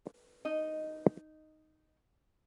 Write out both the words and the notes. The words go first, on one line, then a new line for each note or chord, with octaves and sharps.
Where there no such beings, men would not die.
D#4 D#5